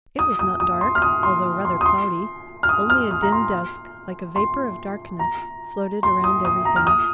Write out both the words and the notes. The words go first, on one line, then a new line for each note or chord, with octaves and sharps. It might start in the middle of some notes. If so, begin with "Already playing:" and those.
It was not dark, although rather cloudy; only a dim dusk, like a vapour of darkness, floated around everything.
D#6
D#6
D#6
C6
F6
D#6
C6
C6
D#6
C6
F6
D#6
F6
D#6
A#5
C6
C6
A#5
C6
D#6
D#6
A#5
F6
D#6